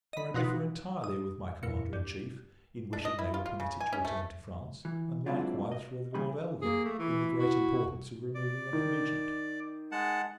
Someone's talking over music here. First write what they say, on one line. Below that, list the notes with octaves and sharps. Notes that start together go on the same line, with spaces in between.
For I differ entirely with my Commander in Chief, in wishing they were permitted to return to France; and, likewise, with Lord Elgin, in the great importance of removing them from Egypt.
D#5 B5
B2 F3 D#4 F#4 B4
D#6
E2 A#2 C#7
G2
D4
D#5
E4
F4
F4
C#3
G#5
C#4
A3
E3
F#3 G#3 C4 D4 E4 F4
D#5
A#2 D#3 G3 G#4 B5
A#3 G#4
A3
E3 E4
F#4
D5
D#3
G#3 F#5 A5